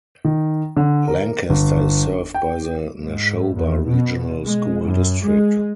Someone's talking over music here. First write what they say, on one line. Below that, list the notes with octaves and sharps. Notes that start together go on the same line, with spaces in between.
Lancaster is served by the Nashoba Regional School District.
D#3
D3
A#4
G1
G5
G#2
E2
B2
G#3
F#2
G#3